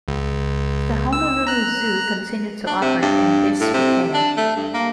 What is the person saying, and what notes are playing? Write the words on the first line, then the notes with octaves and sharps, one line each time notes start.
The Honolulu Zoo continued to operate in disrepair.
C#2
E6
A#5 F#6
D4
C3
G2
A2
C3
D4
A3
G2
A#3